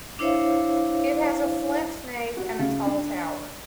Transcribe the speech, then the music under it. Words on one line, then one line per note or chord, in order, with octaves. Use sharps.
It has a flint nave and a tall tower.
D4 E4 C5 C#5 E5 F5
F#4
C#3
D4